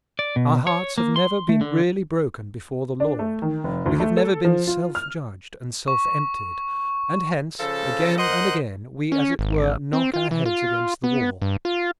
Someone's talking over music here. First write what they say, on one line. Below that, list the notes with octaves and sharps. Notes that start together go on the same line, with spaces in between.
Our hearts have never been really broken before the Lord; we have never been self-judged and self-emptied; and hence, again and again, we, as it were, knock our heads against the wall.
D5
B2
C#5
A#3
C6
A3
D3
D4
A3
D#3
F1
D2
A3
A4
F3
F4
F6
C#6
C#3 F3 A4
A#4 C5 D#5 F#5
C#4
G#1
C4
F4
E3
F4
B3
G2
F4